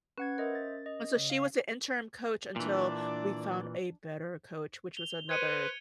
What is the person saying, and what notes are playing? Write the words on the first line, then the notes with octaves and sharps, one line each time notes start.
And so, she was the interim coach until we found a better coach, which was another
C#4 B4 F#5 G#6
A#4 C5 D#5 E5
A6
D#5
C#3
F5
A#2 E3 D4 D5
F7 G7
B4 C5 G#6 C#7 D#7